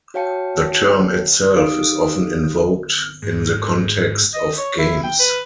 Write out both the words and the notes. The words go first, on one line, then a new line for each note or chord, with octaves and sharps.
The term itself is often invoked in the context of games.
F#4 C#5 F5 G5 A5 C#7
D#4 G4 F5 D#6 D7
G#2
D#5
C#5
E4
G5
B4